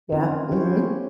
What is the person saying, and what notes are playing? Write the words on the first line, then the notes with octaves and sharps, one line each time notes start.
Yeah, mhm.
C4 C#4 D#4 F4 A#4 B4
C#4 E4 G4 C5 C#5